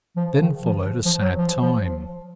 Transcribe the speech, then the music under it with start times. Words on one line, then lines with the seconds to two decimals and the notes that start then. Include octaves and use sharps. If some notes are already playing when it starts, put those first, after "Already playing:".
Then followed a sad time.
0.16 F3
0.35 C#3
0.41 D#3
0.65 F3
1.06 F3
1.22 F#3
1.38 F3
1.63 F3